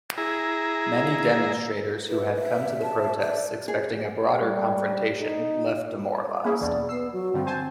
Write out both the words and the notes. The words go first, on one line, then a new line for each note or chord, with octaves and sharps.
Many demonstrators who had come to the protests expecting a broader confrontation left demoralised.
E4 G#4 A#5
E4 B4
E5
A5
D5 E5
G#4
G3
D#4
A#3 C#4 E4 G#4
B1 E2 B2 D5
B3 E6 C7
F#3
G2 D3 F3 C4
C5 G#5 A5